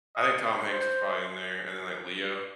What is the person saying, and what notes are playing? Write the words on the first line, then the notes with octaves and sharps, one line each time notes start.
I think Tom Hanks is probably in there and then like Leo.
D#5
C5